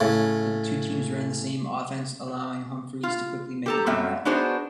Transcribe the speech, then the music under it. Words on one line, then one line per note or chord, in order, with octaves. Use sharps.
The two teams ran the same offense, allowing Humphries to quickly make an impact.
A2 C#3
F4
G4 A4 A#5
F#2 F#3 G3 C4 E5
B3 D4 D#4 F#4 G#4 C5